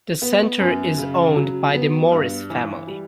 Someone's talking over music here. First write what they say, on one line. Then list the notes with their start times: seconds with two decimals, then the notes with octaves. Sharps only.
The centre is owned by the Morris family.
0.22 B3
0.59 F#2
0.98 C#3
1.35 F#3
1.74 B3
2.12 G2
2.50 E3
2.87 G3